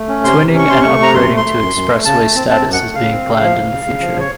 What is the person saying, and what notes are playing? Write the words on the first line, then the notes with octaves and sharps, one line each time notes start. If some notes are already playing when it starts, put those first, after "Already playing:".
Twinning and upgrading to expressway status is being planned in the future.
Already playing: A3
C#4
C3 C6
C3
C#4
C#6
C3 C6
A3 C#6
C3 A#5
F#2 C6
A3
C6
A3
F#2
F#2
A3
C#3 A5
A3
C4
C4 A5
F#2
F#5
A3
C#3 F5
C4
C#3
F3
C#3
C#3
C#3
F3
C#3 C#5